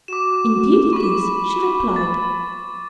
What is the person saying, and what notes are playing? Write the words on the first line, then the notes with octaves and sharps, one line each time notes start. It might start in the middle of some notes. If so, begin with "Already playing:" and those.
"Indeed it is," she replied.
F#4 D6 E7
B5 C#6 D6
A6